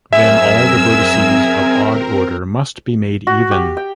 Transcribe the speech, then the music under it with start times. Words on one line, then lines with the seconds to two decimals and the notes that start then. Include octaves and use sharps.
Then all the vertices of odd order must be made even.
0.13 F#2 C4 G#4 A#4 E5 G#5 E6
3.27 F#4
3.51 G4
3.77 G5